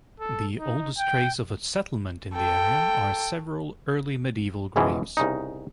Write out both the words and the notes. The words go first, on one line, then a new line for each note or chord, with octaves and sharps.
The oldest trace of a settlement in the area are several early medieval graves.
A4
D#4
G5
A4 G5
C#2 G#2 B2 D#3 E3 G#3
C2 C#3 D#4